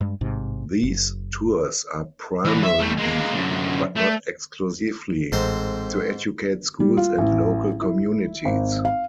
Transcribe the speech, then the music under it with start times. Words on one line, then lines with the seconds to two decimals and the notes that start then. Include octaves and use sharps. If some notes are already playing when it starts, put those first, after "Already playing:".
These tours are primarily, but not exclusively, to educate schools and local communities.
0.01 G2 G#3
0.21 A1 G#2 C3
0.83 F#1
2.45 D3 E3
2.63 E5
2.80 G3 A3
2.98 G#3 A#3
3.34 F#2 D3
3.97 A3
5.32 A1 G#2 G#3 C4 A4 C5 A#5
6.80 G3
6.97 F4
7.18 A1
7.81 E4
8.45 G#1
8.85 F5